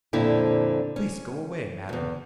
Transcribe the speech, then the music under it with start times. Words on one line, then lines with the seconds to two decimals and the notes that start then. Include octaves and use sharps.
"Please go away, madam!"
0.13 F2 A#2 D3 C4 E4
0.96 C#4
1.89 E2 G2